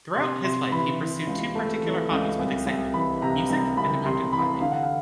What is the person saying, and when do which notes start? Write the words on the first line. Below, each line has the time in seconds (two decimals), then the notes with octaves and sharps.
Throughout his life he pursued two particular hobbies with excitement: music and mountain-climbing.
0.16 C3 C6
0.44 C3 C6
0.72 E3 B5
1.00 E3
1.27 C#2
1.55 A3
1.83 E3
2.11 C#2
2.39 C2
2.66 C2
2.94 E3 B5
3.22 C3 A#5
3.50 C2 A#5
3.77 C2 B5
4.05 C3 C6
4.33 E3 B5
4.61 D3 F5
4.72 F#5
4.83 F5